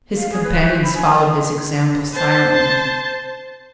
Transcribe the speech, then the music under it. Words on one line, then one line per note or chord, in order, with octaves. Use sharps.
His companions followed his example silently.
F5
G#4
B4
C5
B5
G#5
C6
C5 A5